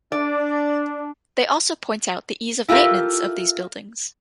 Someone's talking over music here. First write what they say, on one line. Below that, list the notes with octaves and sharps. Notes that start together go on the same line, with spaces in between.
They also point out the ease of maintenance of these buildings.
D4 D5
E4 F4 G4 A4 A#4